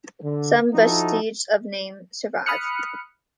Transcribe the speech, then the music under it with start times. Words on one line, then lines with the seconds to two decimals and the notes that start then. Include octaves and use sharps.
Some vestiges of the name survive.
0.23 D3
0.74 F3 D#4 E4 F#4 A4
2.46 B5 D#6 F6 F#6 C#7